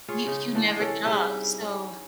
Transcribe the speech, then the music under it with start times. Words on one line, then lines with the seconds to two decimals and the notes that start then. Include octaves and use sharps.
you you never get off. So
0.08 F4 G#4 C#5
0.26 C#3 D#4
0.54 D3 E3 A3 D5
0.79 C3 C#4 A4 C#5
1.06 G3 D#4 E4 G#4
1.61 C#4